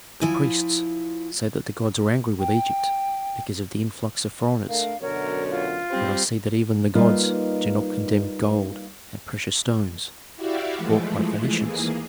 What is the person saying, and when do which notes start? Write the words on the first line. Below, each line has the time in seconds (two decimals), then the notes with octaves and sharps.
"The priests say that the gods are angry with Egypt because of the influx of foreigners; but I see that even the gods do not contemn gold and precious stones brought by Phoenicians."
0.21 F3 E4 G#5
2.40 G5
4.69 A3 D4 A#4 F5
5.01 F#2 B2 D3 A#4 C#5
5.51 F4
5.90 G3 C4 G4
6.95 G3 A#3 D#4 F4 B4 D#5
10.35 E4 F#4 G4 D5 E5 F5
10.76 E3 F3 G#3 A3
11.59 D#2 E3 A#3 G#4